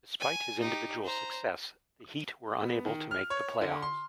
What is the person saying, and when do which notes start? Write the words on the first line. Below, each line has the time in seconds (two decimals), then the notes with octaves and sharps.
Despite his individual success, the Heat were unable to make the playoffs.
0.20 G#5
0.60 D#4 G4
1.04 C5 A#5
2.62 B3
2.86 D#3
3.11 F6
3.30 C#5
3.61 D3
3.82 C6